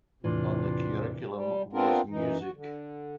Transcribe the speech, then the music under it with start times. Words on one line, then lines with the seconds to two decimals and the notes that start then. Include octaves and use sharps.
On the curriculum was music.
0.24 E2 A2 C3 E3 D4 F4
1.31 G3
1.73 B3 C4 D4 F4 A#4
2.10 F#2 E3 D#4
2.38 F#4
2.54 D3